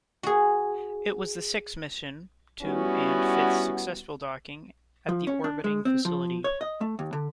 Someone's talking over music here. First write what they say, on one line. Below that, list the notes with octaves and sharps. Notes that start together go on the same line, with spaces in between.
It was the sixth mission to and fifth successful docking at the orbiting facility.
F#4 G#4
G3 B3 C#4 E4 F#4
F3
C#4
D4
G#3
C4
F3
C#5
D#5
A3
D#2
D3